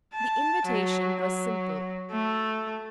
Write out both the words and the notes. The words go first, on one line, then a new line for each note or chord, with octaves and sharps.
The invitation was simple.
A5
F#3
F#3
A3